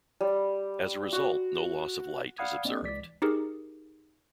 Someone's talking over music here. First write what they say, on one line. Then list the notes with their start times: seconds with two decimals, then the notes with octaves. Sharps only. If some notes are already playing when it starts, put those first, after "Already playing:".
As a result, no loss of light is observed.
0.21 G3
1.13 F#4
2.38 D5 F5 F#5 B5 D#6 G#6
2.65 A#3 C4 D4 D5 D#5
2.82 C#2 E3 G#3 D5 B6
3.22 D#4 G4 G#4 A#4